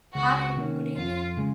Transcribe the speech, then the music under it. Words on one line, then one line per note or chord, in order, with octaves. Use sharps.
Densely rich cemetery songs.
C#2 F#4
C3 D#3 A#3 C#4
F2 F4
C#3 G#3